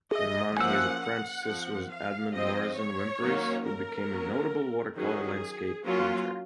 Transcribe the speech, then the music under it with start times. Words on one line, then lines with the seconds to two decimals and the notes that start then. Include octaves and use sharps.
Amongst his apprentices was Edmund Morison Wimperis, who became a notable watercolour landscape painter.
0.13 D#5
0.57 F3 A#3 C#4 F#5
1.01 F#5
1.45 F3 C4
1.89 F5
2.33 F3 G#3 C4 D#5
2.77 C#5
3.21 D#3 F#3 A#3 C#4
3.64 A#4
4.09 F#3 A#3 C#4
4.97 D#3 F#3 C#4 G#4
5.85 F#3 A#3 C#4 F4